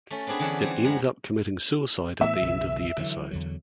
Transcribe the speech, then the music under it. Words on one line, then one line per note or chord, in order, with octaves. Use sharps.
It ends up committing suicide at the end of the episode.
A3 C#4
B3 C4 D4 G#4 B4
D3 E3 B3 C#4 D4
G3 C4 C#5
F#2 G#3 F#5 A#5 B5
A2 E3 B3 E5
B1 C#3 E3
D3 E3 F#3
E2 D3 F#3